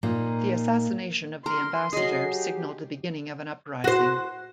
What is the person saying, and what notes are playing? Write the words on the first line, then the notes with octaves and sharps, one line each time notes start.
The assassination of the ambassador signaled the beginning of an uprising.
A#2 A#3 D#4
A#4 C6
F#3 G#4 D#5 C7
G4
F#4 C5